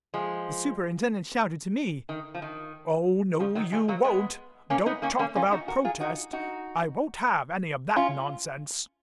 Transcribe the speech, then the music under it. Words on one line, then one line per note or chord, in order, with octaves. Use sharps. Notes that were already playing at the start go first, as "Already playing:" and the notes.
The superintendent shouted to me, "Oh, no, you won't; don't talk about protest; I won't have any of that nonsense."
F3 G#3
D#3
F3
D#3
C#3 F3
D#3 F#3
F3 G#3
F#3 A#3
G#3 B3
A#3 C#4
B3 D#4
A#3 C#4
A#3 C#4
C#4 F4
D#4 F#4
F#4 A#4
F4 G#4
D#4 F#4
D#4 F#4
C#4 F4